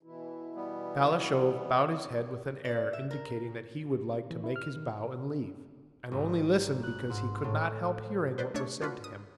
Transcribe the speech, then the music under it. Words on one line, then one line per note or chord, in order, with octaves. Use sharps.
Balashev bowed his head with an air indicating that he would like to make his bow and leave, and only listened because he could not help hearing what was said to him.
B2 E3 E4
G3 B3
D5
E5
A#4
E3
E4
F6
D#3
G#1
F#6
G#2
A2
B4 C5 D5
A3 D4 C#5
D4 F4 F#4 B4
D#6